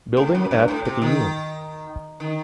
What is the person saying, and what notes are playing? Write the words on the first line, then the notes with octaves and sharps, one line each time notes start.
Building at Picayune.
A2
F#2
G2
A2
C3
D#3
D#3